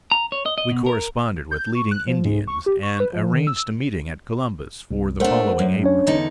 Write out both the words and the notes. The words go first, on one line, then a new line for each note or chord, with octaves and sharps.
We corresponded with leading Indians and arranged a meeting at Columbus for the following April.
A#5
C#5
D#5
D#5
B2
A#4
G6
C#6
F#6
F3
G#2
C#6
G4
C#6
B4
F3
D#3
E6
C2
A3 D4 A#4 C5 F#5
F#2
C#4 D4 C#5
E2 D3 D#4